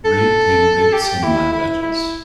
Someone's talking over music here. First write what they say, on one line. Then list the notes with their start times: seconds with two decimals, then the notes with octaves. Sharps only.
Read him bits of my letters.
0.05 A4
0.93 G4
1.23 E4
1.52 E4
1.82 E4